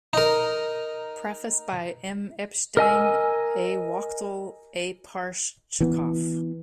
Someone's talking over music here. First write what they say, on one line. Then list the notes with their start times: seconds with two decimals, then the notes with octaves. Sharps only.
Preface by M. Epshtein, A. Wachtel, A. Parshchikov.
0.13 D#4 A#4
2.77 A#4 D#5 G#5 E6
5.81 E3 B3